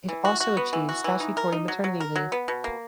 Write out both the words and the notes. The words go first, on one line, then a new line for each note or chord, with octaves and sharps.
It also achieved statutory maternity leave.
E3
F#4
F#4
B3
E3
F#4
E3
D#4
A#4
D#4
F#3
F#3
A#4
F#3
B3
B2
A#3